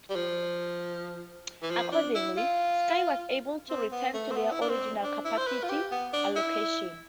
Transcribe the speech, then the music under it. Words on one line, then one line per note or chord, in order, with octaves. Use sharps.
Accordingly, Sky was able to return to their original capacity allocation.
G3
F3
E3
F3
D4
E4
F4
C4
B3
A3
C4
B3
E4
D4
C4
D4
E4
C5
B4
F4
G4
B3
D4
E4